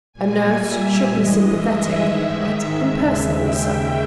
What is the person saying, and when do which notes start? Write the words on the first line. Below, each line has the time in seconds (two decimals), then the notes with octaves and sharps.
"A nurse should be sympathetic, but impersonally so."
0.13 A#2 G3 G#5
0.59 E5
1.04 G2 E3 G#3 D#5
1.50 E5
1.96 G#2 D#3 G#3
2.42 E5
2.87 D#2 C#3 G#3
3.33 G5